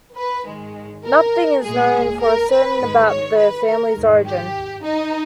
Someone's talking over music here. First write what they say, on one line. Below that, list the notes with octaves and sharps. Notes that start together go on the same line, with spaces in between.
Nothing is known for certain about the family's origin.
B4
G#2 D#3 G#3
A#4
A#2 G#3 G#4
A#4
B4
G#2 D#3 G#3
C#5
B4
A#4
G#2 D#3 G#3
G4
D#4